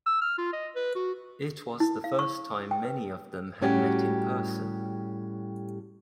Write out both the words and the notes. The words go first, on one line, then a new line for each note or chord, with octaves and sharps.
It was the first time many of them had met in person.
E6
F6
F4
D#5
B4
F#4
E4
F5
C#6
G5
B4
A2 G3 C#4 F#4 G4